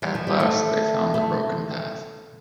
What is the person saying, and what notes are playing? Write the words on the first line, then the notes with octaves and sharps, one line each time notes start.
At last they found the broken path.
G3
F3
G3
A3
A3